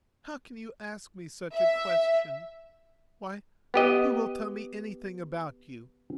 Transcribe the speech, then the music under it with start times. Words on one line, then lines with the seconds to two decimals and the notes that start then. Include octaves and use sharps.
How can you ask me such a question? Why, who will tell me anything about you?
1.53 E5
3.74 B3 G4 D#5